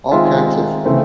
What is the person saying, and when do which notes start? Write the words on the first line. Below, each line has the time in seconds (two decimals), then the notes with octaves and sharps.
all kinds of,
0.11 D#3 G#3 C4 F4 E5
0.85 C#3 E3 A3 C4